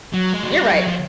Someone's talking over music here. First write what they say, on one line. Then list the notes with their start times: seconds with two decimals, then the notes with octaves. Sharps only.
you're right.
0.14 F#3
0.34 G#3
0.43 F#3
0.52 G3
0.73 F#3
0.88 F3